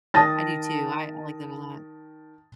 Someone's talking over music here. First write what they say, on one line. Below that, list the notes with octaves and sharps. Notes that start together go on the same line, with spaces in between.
I do too. I I like that a lot.
D#3 A5 D#6 A6 A#6